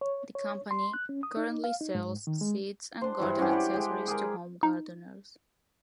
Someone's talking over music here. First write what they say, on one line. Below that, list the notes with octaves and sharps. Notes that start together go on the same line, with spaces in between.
The company currently sells seeds and garden accessories to home gardeners.
C#5
C#5
C6
F#6
C#4
D#6
D#4
F5
D#4
G#2
D#3
G#3
D4 C5
G2 E3
C#4 D4 F#4 G4
G4 B4 D5
G#3 G4
G#4 A#4
D#4